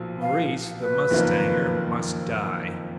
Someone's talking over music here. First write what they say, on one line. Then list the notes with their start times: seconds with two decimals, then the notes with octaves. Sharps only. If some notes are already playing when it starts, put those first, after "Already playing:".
Maurice, the mustanger, must die!
Already playing: B1 A#2 F3
0.22 F5
0.80 B4
1.10 F#1 F2 D#3 A#3 F4